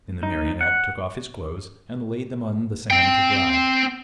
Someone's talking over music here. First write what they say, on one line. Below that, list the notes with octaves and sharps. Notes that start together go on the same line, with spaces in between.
Then the Marionette took off his clothes and laid them on the sand to dry.
D#4
F#5
C4 G5